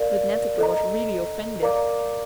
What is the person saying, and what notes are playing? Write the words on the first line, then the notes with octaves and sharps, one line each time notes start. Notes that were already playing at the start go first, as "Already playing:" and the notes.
But Netteke was really offended.
Already playing: A#4 D5 F5
A4 D#5 A#5
A#4 D5 F5 A#5 D6